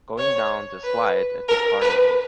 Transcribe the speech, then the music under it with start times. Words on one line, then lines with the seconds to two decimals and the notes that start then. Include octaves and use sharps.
Going down the slide at the carnival.
0.18 C#5
0.83 B4
1.48 A#4
1.81 B4